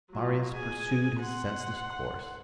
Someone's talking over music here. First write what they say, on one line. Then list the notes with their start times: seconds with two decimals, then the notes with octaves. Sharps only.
Marius pursued his senseless course.
0.11 F#3 F4
0.56 G#4 G#5
1.19 F#5 C6